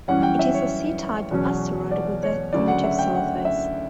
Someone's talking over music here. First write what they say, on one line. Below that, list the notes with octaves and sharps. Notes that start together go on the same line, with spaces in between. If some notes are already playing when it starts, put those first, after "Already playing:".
It is a C-type asteroid with a primitive surface.
F#2 E3 G3 C#4 F#5
G5
E5
C#5
E2 B2 F#3 C#4
D5
C#5
D2 C#3 F#3 D5
F#5
E5
G5
F#5
E5